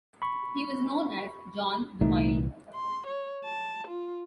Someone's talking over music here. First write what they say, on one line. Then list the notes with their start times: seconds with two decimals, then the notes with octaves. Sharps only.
He was known as "John the Mild".
0.22 B5 C#6
2.01 C2 A#2 E3 A3 D#4
2.75 C6
3.07 C#5
3.45 A5
3.88 F4